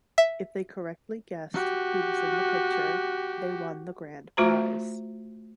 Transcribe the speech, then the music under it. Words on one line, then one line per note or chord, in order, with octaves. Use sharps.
If they correctly guessed who was in the picture, they won the grand prize.
E5
F#4 G4
A3 F4 F#4 C5 A#5